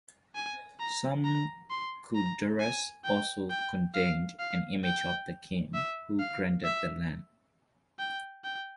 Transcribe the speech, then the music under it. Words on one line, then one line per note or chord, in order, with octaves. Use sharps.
Some kudurrus also contained an image of the king who granted the land.
G#5
A#5
A#5
C6
A#5
G#5
G5
G5
F5
F5
G5
E5
F5
E5
G5
G5